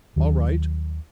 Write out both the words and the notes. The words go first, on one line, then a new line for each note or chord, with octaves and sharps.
'All right.
D#2 D#3 F#3